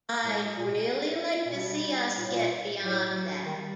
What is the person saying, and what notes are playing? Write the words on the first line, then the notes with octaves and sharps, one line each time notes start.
I'd really like to see us get beyond that.
A2 G#3
A#2
B2
A#2
A#2
B2 G3
A#2
A2
A#2
A2 F#3
F#3
D#3 G3